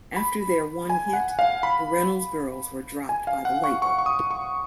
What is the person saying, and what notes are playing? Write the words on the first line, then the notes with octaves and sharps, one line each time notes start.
After their one hit, The Reynolds Girls were dropped by the label.
B5
G#5
F#5
F5
B5
G#5
F5
F#5
C#6
C#6
C#6
D#6
C#6